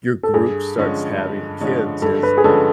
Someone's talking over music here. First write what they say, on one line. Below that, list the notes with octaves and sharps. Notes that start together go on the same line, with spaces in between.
your group starts having kids is
A4
G2 G#4
D3 F3 G#3 C#4
G2
D3 F3 G#3 C#4
G2 A4
B4
G#4
D3 F3 G#3 C#4 A4